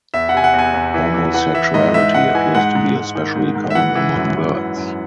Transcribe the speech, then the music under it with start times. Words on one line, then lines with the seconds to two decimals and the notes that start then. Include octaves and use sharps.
Homosexuality appears to be especially common among birds.
0.14 E2 E5
0.29 F#5
0.34 C3 G#5
0.44 F#5
0.54 E2
0.59 G#5
0.74 E2
0.94 E3
1.14 E3
1.34 E3 F#5
1.54 E3 E5
1.74 G#2 D#5
1.94 G#2 E5
2.14 G#2 F#5
2.35 E3 G#5
2.55 G#2 F#5
2.75 G#2
2.95 G#2
3.15 D#3
3.35 G#2
3.55 G#2
3.70 E5
3.75 E3 F#5
3.95 E3
4.16 F#2
4.35 E3
4.56 E3
4.76 F#2